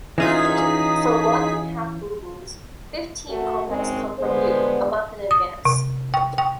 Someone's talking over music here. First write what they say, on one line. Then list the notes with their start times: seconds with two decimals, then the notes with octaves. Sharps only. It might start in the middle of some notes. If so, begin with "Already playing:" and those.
For one and a half rubles, fifteen kopecks come from you, a month in advance.
0.18 E3 C#4 D#4 F4 G#4 B6
3.29 A3 F#4 A4 A#4
3.67 F#2 D#3 G#3 C4 A#4
4.19 G2 D3 G#3 B3 C5
5.31 D#6
5.65 C3
6.14 G5
6.38 G5